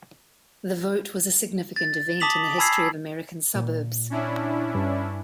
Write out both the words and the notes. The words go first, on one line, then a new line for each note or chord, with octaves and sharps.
The vote was a significant event in the history of American suburbs.
A6
A5 D6 D#6 B6 F7 F#7
G#5 A5 B5 E6 G#6 C7
A#2
C#4 D4 E4
G2